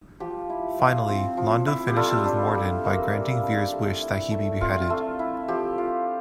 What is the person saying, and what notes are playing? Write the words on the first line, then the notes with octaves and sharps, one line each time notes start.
Finally, Londo finishes with Morden by granting Vir's wish that he be beheaded.
F3 G4
E4
F3
C4
F3
E4
G4
G3 F4 A4
D4
G3
A#3
G3
D4
A3
E4
A3
C4 F4
A3
E4
F3 G4
F4